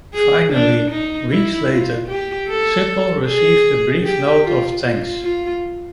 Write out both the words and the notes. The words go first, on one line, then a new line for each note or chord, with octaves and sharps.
Finally, weeks later, Sipple received a brief note of thanks.
G#4
D4
D#4
E4
F4
G4
A4
G#4
G4
F4
F4
F4